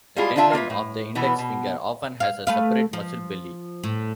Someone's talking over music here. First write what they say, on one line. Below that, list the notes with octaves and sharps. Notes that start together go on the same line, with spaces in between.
The tendon of the index finger often has a separate muscle belly.
G3 G#3 E4 F4 G#4
D3 D#3 D4 F4 E5 A5
A#3 F4 B4 E5
A2
B2 E3 B3
B2
F5
A3 B4 F5
F3
A2